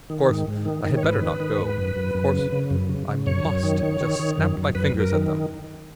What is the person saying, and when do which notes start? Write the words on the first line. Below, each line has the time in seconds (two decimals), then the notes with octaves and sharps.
Of course I had better not go; of course, I must just snap my fingers at them.
0.10 D#3
0.29 G#2
0.48 G#2
0.65 D#3
0.85 D#3
0.97 C#5
1.03 G#2 B4
1.21 D#3
1.40 D#3
1.59 G#2
1.77 F#2
1.96 F#2
2.15 F#2
2.33 C#3
2.52 C#3
2.70 F#2
2.89 C#3
3.08 C#3
3.26 F#2 C#5
3.45 F#2
3.63 D#3
3.83 D#3
4.01 D#3
4.19 D#3
4.38 F#2
4.57 F#2
4.75 F#2 B4
4.94 F#2
5.00 A#4
5.13 D#3